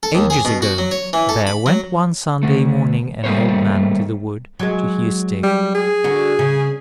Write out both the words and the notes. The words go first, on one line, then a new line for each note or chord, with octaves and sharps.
Ages ago there went one Sunday morning an old man into the wood to hew sticks.
A4
D#2
G#4
B2
F#4
F#3
C#5
E3
A4
B5
F#3
D3 A3
G3 A3 A#3 C5 C#5
F#3 G#3
G3
G#4
D3 F#4
C#3